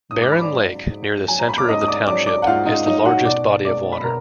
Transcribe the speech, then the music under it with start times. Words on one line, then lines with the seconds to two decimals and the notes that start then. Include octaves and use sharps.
Barron Lake, near the center of the township, is the largest body of water.
0.11 G#2 D#6
0.22 D6
0.31 B5
0.41 D5 D6
0.51 F#3
0.89 G#2
1.28 F#3 G#5
1.39 A#5
1.49 B5
1.58 D6
1.68 G#2 D#5 D#6
1.81 D#6
1.87 D5 D6
2.07 F#3 D5 D6
2.27 D5 D6
2.42 F#5
2.47 G#2 F4 F5
2.66 D#4 D#5
2.86 F#3 D#4 D#5
3.05 F#4 F#5
3.25 B2 D5 D6
3.64 G#3 D5 D6
3.92 B5
4.03 B2 A#4 A#5